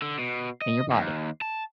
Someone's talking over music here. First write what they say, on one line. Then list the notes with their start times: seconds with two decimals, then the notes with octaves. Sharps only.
in your body.
0.02 D3
0.19 B2
0.62 D#5
0.92 D#2
1.42 A5